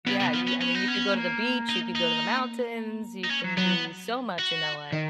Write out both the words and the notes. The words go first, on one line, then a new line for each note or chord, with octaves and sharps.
Yeah, you I mean, you could go to the beach, you could go to the mountains, you can do so much in LA.
C#3 B3
C#3
F3
C#4
C#4
D#4
C#4
A#3
D#4
D#4
D#4
C#4
F#3
F#3 B3
F#4
D#3